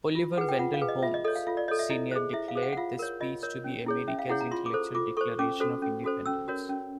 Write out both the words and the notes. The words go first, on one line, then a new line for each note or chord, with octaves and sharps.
Oliver Wendell Holmes, Senior declared this speech to be America's Intellectual Declaration of Independence.
F4
G#4 B4 F#5
G5
F4 F#5
F5
G#4 B4
D#5
F4 E5
D#5
A4 C#5 D#5
F5
F4 F5
D5
A4 C#5 D#5
E5
E4 D#5
G#4 C5
E4 E5
F5
G#4 C5
F#5
F#5
F4 F5
A#4 C#5
F4 D#5
A#4 C#5
C#4
E4 G#4 C#5
C#4 E5
F5
E4 G#4 C#5 F#5
A#5
F4 C6
D6
A4 C5
F4 D6
A4 C5 C#6
C#4 D6
F#4 A4 C5
C#4
F#4 A4 C5
C#4 E6
F#4 A#4 C#5
C#4